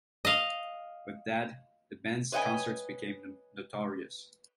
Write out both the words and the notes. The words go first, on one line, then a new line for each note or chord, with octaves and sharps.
With Dead, the band's concerts became notorious.
D#5 F5
B4 C#5 D#5 E5 G5 G#5